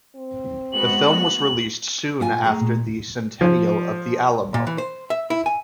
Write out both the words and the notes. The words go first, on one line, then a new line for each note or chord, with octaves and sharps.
The film was released soon after the centennial of the Alamo.
C4
G#3 B3 F#4 F#7
A#2 F4 G#5
A3 G#4 A#5
A#2
F3
A#2
E3
C5
E5
E4
G#5